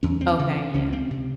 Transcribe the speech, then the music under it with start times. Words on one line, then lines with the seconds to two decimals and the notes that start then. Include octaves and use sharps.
Okay. Yeah.
0.03 E2 C#4
0.21 C4
0.39 C#3 E3
0.74 C#2 C#4
0.93 C4
1.11 C3